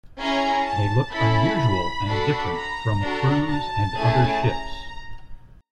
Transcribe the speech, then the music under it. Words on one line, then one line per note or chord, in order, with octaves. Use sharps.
They look unusual and different from cruise and other ships.
C#4 E4 G#4 A#5
A5
C#4 E4 A4 B5
D4 F#4 A4
A#5
D4 F#4 A4
A5
A3 C#4 E4 G#4
A#5